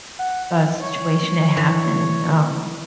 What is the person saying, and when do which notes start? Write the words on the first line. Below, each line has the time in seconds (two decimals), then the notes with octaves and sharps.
uh, situation that happened, um,
0.19 F#5
0.81 C#5
1.57 E3